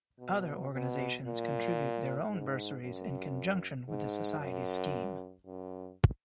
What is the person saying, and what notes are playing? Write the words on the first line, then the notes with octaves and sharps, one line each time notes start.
Other organisations contribute their own bursaries in conjunction with the Society’s scheme.
B2
B2
A#2
G#2
F#2
G#2
F#2
F#2